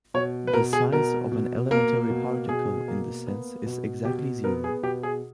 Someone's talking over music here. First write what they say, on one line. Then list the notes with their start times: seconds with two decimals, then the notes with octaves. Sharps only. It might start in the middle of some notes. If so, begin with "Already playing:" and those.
The "size" of an elementary particle, in this sense, is exactly zero.
0.14 B2 C#5
0.47 B4
0.53 B2 A#4
0.73 G#4
0.92 B2 A#4
1.32 B2
1.71 A#3 A#4
2.10 B2
2.49 B2 G#4
2.88 A#3
3.27 B3
3.66 B2
4.05 B2 G4
4.44 B3 A#4
4.64 G#4
4.83 B2 G4
5.03 G#4